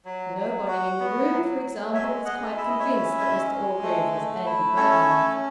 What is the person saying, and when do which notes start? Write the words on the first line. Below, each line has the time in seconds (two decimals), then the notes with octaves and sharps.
Nobody in the room, for example, was quite convinced that Mr Orgreave was anti-Bradlaugh.
0.05 F#3
0.38 F#3
0.68 F#4
1.00 B3
1.31 F#3
1.63 F#3
1.94 G#3 C#5 E5
2.25 G#3 D#5 F#5
2.57 E4 E5
2.68 D#5
2.79 C#5 E5
2.89 C#4
3.19 G#3
3.51 G#3
3.83 A3
4.14 A3
4.46 E4
4.76 C#4 A4 C#5
5.09 A3